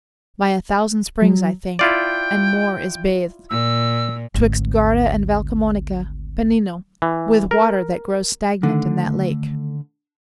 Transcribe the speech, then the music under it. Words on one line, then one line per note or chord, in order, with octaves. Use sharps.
By a thousand springs, I think, and more, is bathed, 'Twixt Garda and Val Camonica, Pennino, With water that grows stagnant in that lake.
F#3
E4 F4 D5 G5
A#2 E6
G#1 D2
E3
A#4
D3 D#3 A3